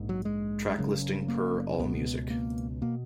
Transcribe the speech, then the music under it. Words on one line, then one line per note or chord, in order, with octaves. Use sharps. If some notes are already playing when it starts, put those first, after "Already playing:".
Track listing per AllMusic.
Already playing: A#1 G#2
F#3
G#3
F#1 F#2 C#3
A#3
C#2 B2 B3
A#3
B2 A#3